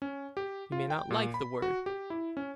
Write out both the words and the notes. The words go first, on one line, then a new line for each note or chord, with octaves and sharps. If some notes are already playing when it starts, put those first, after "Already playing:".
You may not like the word.
C#4
G4
F4
G5
A#2
B5
F#4
G4
E4
C#4